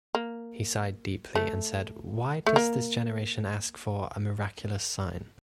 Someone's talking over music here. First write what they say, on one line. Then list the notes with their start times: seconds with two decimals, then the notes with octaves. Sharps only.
He sighed deeply and said, 'Why does this generation ask for a miraculous sign?
0.15 A#3
1.36 A3
2.46 A3
2.56 A#3